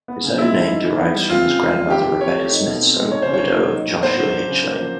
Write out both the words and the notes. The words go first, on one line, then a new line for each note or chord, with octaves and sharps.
His own name derives from his grandmother Rebecca Smithson, widow of Joshua Hitchling.
B3
C#3
G#3 E4
F3
D#4
E3
B3
G3
C4 F4
C#3
G#3
F3
E4 G4
F3
C4 C#5
A3
D#4
B2
C4
G#3
D#4 C#5
C#3 C5
C#5
A#3
F#3
D#4
A2
B3 C5
F#3
D4
C#3
A#3
F3